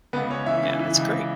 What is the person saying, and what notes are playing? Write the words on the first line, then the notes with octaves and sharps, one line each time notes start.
yeah, that's great.
C#2 B3 B4
C#2 C#4 C#5
E3 E4 E5
E3
E3
C#2